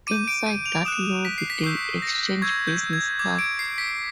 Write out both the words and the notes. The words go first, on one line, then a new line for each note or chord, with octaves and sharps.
Inside that lobby they exchanged business cards.
D6 G6 D#7
D7
D#7
F7
D#6 F#6 E7
B6
C7
B6
C#6 E6 G6 C7
A#6
C#6 E6 G6 G#6
G6
G#6
D6 G6 G#6
D7
C7
B6